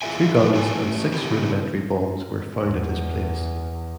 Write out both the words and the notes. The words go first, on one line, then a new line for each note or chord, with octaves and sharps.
Two guns and six rudimentary bombs were found at his place.
E4 F4 G#4 A4 E5 G#5
D4 F4 F#4
G#4 A4 B4 G#5
E3 A3 E4
C#3 E3 F#3 C4 E4 G4
E2